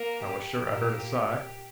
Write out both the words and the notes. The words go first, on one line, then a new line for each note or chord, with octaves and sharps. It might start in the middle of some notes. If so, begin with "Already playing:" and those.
I was sure I heard a sigh.
Already playing: A#3 A#4
G4
A#2 A#3